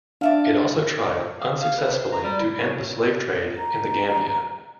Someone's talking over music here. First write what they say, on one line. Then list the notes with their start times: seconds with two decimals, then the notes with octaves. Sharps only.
It also tried, unsuccessfully, to end the slave trade in the Gambia.
0.21 D4 D5 E5 F5
1.39 F5
1.62 F5
1.78 B4
1.98 C5
2.12 A#5
2.24 G3
2.39 E4
2.59 C#5
3.57 A#5